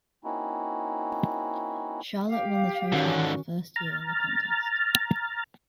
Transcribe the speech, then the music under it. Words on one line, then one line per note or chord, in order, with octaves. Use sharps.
Charlotte won the trophy in their first year in the contest.
A#3 C4 C#4 D#4 E4 F#4
G4 F5
G#2 D3 D#3 C#4 F#4
A#5 F6 A6